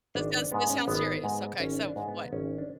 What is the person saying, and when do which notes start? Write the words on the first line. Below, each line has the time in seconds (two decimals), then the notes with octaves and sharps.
That sounds that sounds serious. Okay. So what?
0.15 G#1 D4
0.34 D4
0.52 G#2 G#3 B3
0.70 C#4
0.87 G#1 B3
1.24 G#2 G#3
1.60 G#1 C#4
1.84 D4
1.96 G#2 G#3
2.08 B3
2.32 G#1 C#4
2.58 D4